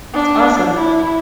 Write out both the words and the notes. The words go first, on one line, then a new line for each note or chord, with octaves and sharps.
That's awesome.
D4
E4